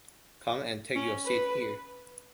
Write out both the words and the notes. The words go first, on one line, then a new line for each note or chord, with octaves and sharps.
Come and take your seat here.
C#4
B4